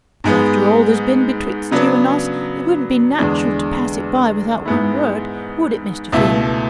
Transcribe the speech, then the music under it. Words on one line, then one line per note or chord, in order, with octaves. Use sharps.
But after all there's been betwixt you and us it wouldn't be natural to pass it by without one word; would it, Mr. Finn?
G#2 G#3 B3
C#3 F#3 B3 D4
E2 D3 G#3 D4
G#2 G#3 B3 E4
C#2 B2 A3 E4